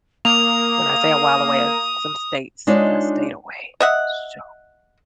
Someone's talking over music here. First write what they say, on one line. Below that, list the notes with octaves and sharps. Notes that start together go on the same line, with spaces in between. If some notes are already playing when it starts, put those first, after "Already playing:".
When I say a while away, it's some states I stayed away, so
A#3 D#6 F7
G#3 D4 D#4 F4 C#5 D#5
D#5 E5 F#5